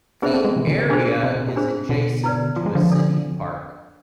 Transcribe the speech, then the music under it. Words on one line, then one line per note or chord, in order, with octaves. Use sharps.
The area is adjacent to a city park.
B3 D4 G#4 C5 E5
A3 C4
G#3 B3
C3 E3
B2 D3
C3
B2 D4 G#4 C5
C3
B2
C3
D4 G#4 C5
B2 D3
E4 B4 D5
F3
G#3
D3 F3
D4 A4 D5